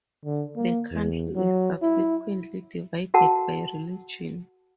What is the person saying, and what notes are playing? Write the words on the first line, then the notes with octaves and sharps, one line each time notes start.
The country is subsequently divided by religion.
D3
A#3
E2
F#3
E4
F#4 A#4 F#5 A5